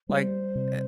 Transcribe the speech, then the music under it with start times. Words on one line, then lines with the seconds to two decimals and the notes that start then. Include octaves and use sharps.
like, a
0.09 G3 C5
0.55 C3